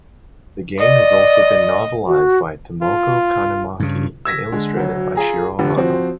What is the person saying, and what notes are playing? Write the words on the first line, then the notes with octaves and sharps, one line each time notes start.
The game has also been novelized by Tomoco Kanemaki and illustrated by Shiro Amano.
D5 D#5
F#4
F4
G2 C#3
E6 G#6 A#6 B6
D3 G#3
D2 F#3
F4 G#4 A#5
F1 D3 G4
F3 C4 F#4